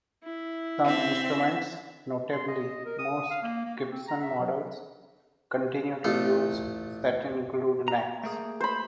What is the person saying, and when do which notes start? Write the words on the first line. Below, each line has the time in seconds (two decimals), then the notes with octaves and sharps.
Some instruments-notably most Gibson models-continue to use set-in glued necks.
0.23 E4
0.85 C4 E5
2.33 C6
2.48 D#5
2.86 A#4
2.99 D#6
3.31 F5
3.42 A#3
3.65 A#3
3.77 F#4
3.90 C4
4.08 A#5
4.22 E5
4.39 F#3
6.04 A1 A3 F4 A4
7.88 A#5
8.24 A3 A#3 G#4
8.60 C5 B5